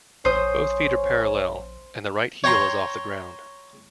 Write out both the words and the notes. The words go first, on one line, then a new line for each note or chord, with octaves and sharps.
Both feet are parallel, and the right heel is off the ground.
A#1 C#4 C5 D#6
C#5 G5 A#5 C6